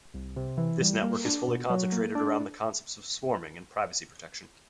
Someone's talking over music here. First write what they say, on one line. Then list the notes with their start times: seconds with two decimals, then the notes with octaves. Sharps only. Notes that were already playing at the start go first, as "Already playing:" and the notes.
This network is fully concentrated around the concepts of swarming and privacy protection.
0.14 C2
0.36 C3
0.58 E3
0.81 G3
1.03 A#3
1.25 D4
1.48 B2
1.70 F#3
1.92 A#3
2.15 D4